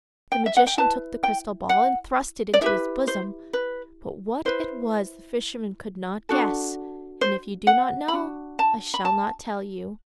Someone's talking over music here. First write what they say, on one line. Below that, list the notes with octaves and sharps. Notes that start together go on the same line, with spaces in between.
The magician took the crystal ball and thrust it into his bosom; but what it was the fisherman could not guess, and if you do not know I shall not tell you.
G5
E5
F#5
G5
E4 B4 A5
G5
F#5
D5
E4 G4 B4 E5
C5
B4
E4 B4 C5
D4 F#4 A4
C5
F#5
B5
D4 F#4
A5
B5
A5